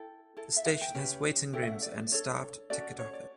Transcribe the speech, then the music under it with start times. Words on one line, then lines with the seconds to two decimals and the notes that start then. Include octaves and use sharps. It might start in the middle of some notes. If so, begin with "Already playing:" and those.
The station has waiting rooms and staffed ticket office.
Already playing: E4 A4 G5
0.37 E4 A4
0.57 E5
0.65 F#5
0.81 G5
0.95 C#4 G4 B4
1.53 C#4 E4 A4 G5
1.62 E5
1.67 F#5
1.82 D5
2.12 D4 A4 C#5
2.70 C#4 F#4 A4 D5
2.99 C#5
3.13 D5